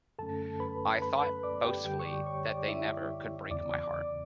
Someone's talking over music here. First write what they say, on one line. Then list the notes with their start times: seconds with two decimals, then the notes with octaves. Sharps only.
I thought, boastfully, that they never could break my heart.
0.19 F#2 D3 F#3 A3 C#4 A4 A5
0.60 B4 B5
1.02 B4 B5
1.23 B4 B5
1.43 D5 D6
1.64 G4 G5
1.85 F#2 D3 G3 G4 G5
2.00 C#6
2.05 D5 D6
2.26 C#5 C#6
2.47 D5 D6
2.68 E4 E5
3.50 E2 C#3 E3 B3 D5 D6
3.71 D5 D6
3.92 D5 D6